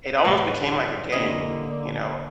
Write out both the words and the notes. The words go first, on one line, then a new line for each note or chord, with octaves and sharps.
It almost became like a game, you know?
A2 C3 E3 G3 B4
D3 A#3 C#4 E4 D#5